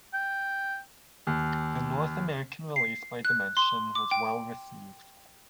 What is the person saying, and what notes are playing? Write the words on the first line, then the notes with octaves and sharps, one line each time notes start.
The North American release by Dimension was well received.
G5
D#2
C7
F#6
C6
D6
G5